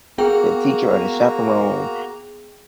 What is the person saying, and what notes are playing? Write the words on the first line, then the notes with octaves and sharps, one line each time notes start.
the teacher or the chaperone
A#3 B3 F#4 G#4 G5 A#5